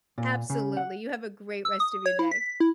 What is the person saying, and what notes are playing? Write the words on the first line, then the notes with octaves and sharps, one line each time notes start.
Absolutely, you have a great rest of your day.
A#2
C#3
F#5
E6
D#6
C#5
E4
B6
E4